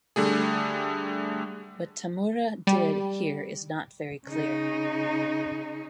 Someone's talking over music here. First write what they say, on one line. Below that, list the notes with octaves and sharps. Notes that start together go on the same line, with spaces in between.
What Tamura did here is not very clear.
D3 G3 A3 G#4
G3
C#3 D#4